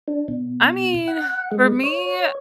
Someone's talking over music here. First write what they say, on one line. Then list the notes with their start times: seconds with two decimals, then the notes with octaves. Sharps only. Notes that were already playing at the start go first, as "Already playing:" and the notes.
I mean, for me,
0.08 D4
0.28 B2
1.08 F#5
1.52 G#3
1.84 C#5